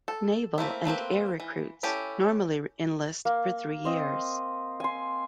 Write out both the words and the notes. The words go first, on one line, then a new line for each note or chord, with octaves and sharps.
Naval and air recruits normally enlist for three years.
A4
A3 A#3 C4 E4
A3 A#3 C4 B4
E3
C#4 E4 G4 A4
A#3
C4 D#5
G#5 C6